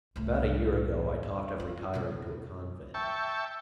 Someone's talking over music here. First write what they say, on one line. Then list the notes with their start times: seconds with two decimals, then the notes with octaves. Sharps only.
About a year ago, I talked of retiring to a convent.
0.16 C2 A2
1.60 F4
1.94 B2 F#3
2.94 E5 G5 A5 C#6